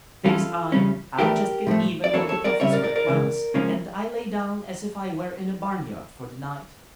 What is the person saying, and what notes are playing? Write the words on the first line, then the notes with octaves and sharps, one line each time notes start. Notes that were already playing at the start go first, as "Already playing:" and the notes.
Thinks I, I'll just get even with the Professor at once, and I lay down as if I were in a barnyard for the night.
E2 E3 G3 C#4 F4 A4
E2 C#3 G3 C#4
E2 E3 A3 D4 G4 A#4
A2 F3 A3
D5
E2 E3 A#3 D4 A4 C#5
A4 C#5
A#4 D5
C#3 G3 C#4 C#5 E5
A#4 D5
A#4 D5
A#4 D5
C#2 C#3 E3
C#2 C#3 F3 A#3 C#4